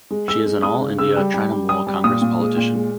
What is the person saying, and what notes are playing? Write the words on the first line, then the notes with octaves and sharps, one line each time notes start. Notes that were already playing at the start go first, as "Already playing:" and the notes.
She is an All India Trinamool Congress politician.
G#3
G#3 E6
G#3
G#3 D#6
C#3
C#3 E6
G3
G3
G3
G3 D#6
G3
A#2 D#6
A#2
G#3
A#2
G#3